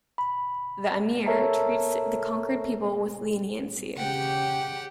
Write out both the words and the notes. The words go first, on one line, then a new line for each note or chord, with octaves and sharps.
The "amir" treats the conquered people with leniency.
B5
A4 A#4 C#5 E5 A5 A#5
C#3 G4 F#5 G5